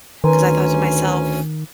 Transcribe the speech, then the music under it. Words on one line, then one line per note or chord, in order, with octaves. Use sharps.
'cause I thought to myself,
D2 D#3 C#4 B4 G#5 A#5 C6